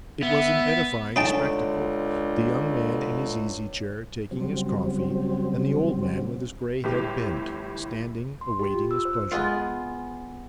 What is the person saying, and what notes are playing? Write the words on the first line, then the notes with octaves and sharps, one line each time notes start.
It was an edifying spectacle, the young man in his easy chair taking his coffee, and the old man with his grey head bent, standing awaiting his pleasure.
B3 E5
C#2 D3 D#4 C#5 G5 A5
C#3 F#3 G3 C4
G1 A2 G4
C6
G4
F4
E6
C5
G#3 B3 F4